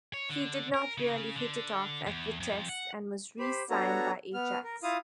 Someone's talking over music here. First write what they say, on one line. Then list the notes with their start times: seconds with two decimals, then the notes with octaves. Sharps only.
He did not really hit it off at Vitesse and was re-signed by Ajax.
0.14 C#5
0.29 D3
0.74 A#4
0.98 C#3
1.36 D3
2.07 E2
2.40 F2
2.69 F#5
3.39 G4 C5 B5
3.70 B3 D4 F#4 A4 C#5 A#5
4.34 B3 F6
4.64 A#4
4.83 E4 F4 F5 D#6